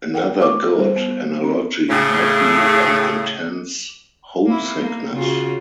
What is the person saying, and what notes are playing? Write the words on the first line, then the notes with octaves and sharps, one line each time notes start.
Another good analogy might be an intense homesickness.
A#4 F#5 G5
C#5 C#6 D6
G3 C5
B3
C4 G#4
A2 C#3
A#3 C4 E4
A#3
C#3 F4 F#4